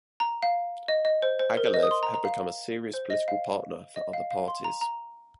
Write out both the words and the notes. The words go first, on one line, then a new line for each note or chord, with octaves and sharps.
Agalev had become a serious political partner for other parties.
A#5
F5
D#5
D#5
C5
C5
A#4
C5
D#5
D#6
C6
A#5
A#5
F5
C5
D#5
F5
D#5
F5
F5
C6
A#5
A#5